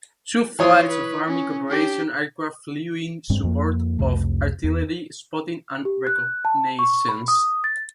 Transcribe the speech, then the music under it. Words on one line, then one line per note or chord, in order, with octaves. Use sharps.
Two flights of Army Cooperation aircraft flew in support of artillery spotting and reconnaissance.
E3 F4 C#5 D#6
B4
C#4
D4 G4
G2 G#3 C4
F2 F3 A#3
C2 F2 C3 A3
E2
G4
F#6
A5
C#6
B5
D#6
A6